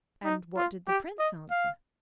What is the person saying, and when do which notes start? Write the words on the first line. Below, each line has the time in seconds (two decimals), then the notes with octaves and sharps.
'And what did the Prince answer?'
0.25 D#4
0.57 F4
0.88 G4
1.19 D#5
1.51 F5